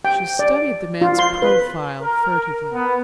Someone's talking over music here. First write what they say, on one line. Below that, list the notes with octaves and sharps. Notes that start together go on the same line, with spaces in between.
She studied the man's profile furtively.
G5
D5
F4
C6
B4
A#4
B3